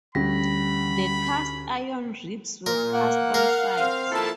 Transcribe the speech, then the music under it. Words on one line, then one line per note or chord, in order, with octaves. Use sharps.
The cast iron ribs were cast on site.
D2 G3 C#4 G4 B5 A#6
A#2 A#4
A#3 F#5
A#4 F5
C4 F5
F3 A#3 E4 A4 A5